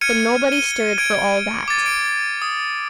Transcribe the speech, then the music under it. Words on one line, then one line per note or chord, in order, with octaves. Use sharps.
But nobody stirred for all that.
F6 G#6 C#7 D#7
D#7 G7
G#6 D7
D6 A6
D7
D#6